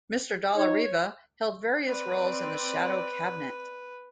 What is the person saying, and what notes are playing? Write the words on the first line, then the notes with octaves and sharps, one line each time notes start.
Mr Dalla-Riva held various roles in the Shadow Cabinet.
D#4 C#5
C4 B4 D5